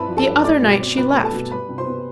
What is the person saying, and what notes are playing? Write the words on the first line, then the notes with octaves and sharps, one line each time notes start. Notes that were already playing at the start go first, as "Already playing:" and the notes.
"The other night she left."
Already playing: G2 C4 E4 B4 A5 B5
F3
A4 A5
G2
A3 D5 D6
B2
C4
B2 B4 B5
A3
A4 A5
B2
G3 B4 B5
C3
C5 C6
B3